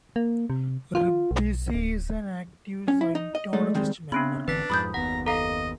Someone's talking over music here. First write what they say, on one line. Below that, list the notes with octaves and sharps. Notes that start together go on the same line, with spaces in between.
Ribisi is an active Scientologist member.
A#3
C3
F4
B1
D1
C#4
E4
D#4
D#5
G#3 A3 D#4 D5
D#3 G3 G#3 C4
C#3 B3 C4 D4 B5
G#1 D3 E3 D4 B4 B6
F2 G#2 B5 D#6 G6
F#1 D#2 B3 F#5 A#5
A4 D#5 F5 A#5